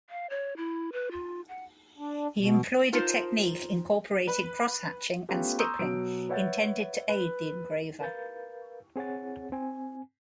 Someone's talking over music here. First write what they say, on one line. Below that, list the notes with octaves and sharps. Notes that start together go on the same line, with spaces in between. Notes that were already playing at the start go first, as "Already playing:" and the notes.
He employed a technique incorporating cross-hatching and stippling, intended to aid the engraver.
F5
C#5
E4
B4
F4
F#5
D4
B2
D#4 F4 A#4 C5 A5
B4
A3 B3 C#4 F4 G4 A4
A#5 C6 C#6 D#6 E6 G6
B2 F#3 D7
B4 C#5 E5 F#5 G6 A6
B4
A#4 B4 F5 G6 A6
C4 G#4 C#5 F#5 A6
C4 G#5